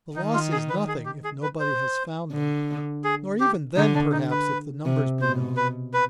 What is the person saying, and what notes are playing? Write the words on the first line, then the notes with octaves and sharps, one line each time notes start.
The loss is nothing, if nobody has found them; nor even then, perhaps, if the numbers be known.
D#3 D#4
F4
G#4
B4
G#4
G4
G#4
B4
C5
D3
G#4
G4
D3 D#4
D4
D#4
B4
C3
B2 C5
B4
B4